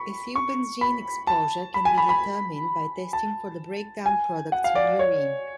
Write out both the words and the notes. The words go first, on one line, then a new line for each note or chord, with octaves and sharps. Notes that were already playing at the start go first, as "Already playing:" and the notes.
Ethylbenzene exposure can be determined by testing for the breakdown products in urine.
Already playing: B5 C#6
C#6
B5
A5
B5
G#5
B5
B5
A5
G#5
F#5
F5
D5
C#5